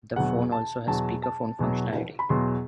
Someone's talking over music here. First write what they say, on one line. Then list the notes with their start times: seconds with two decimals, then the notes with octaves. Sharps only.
The phone also has speakerphone functionality.
0.16 E2 B2 F#3 F#5
0.52 A5
0.87 E2 B2 F#3 A5
1.23 A5
1.59 E2 B2 F#3
2.19 B5
2.29 E2 B2 F#3 C6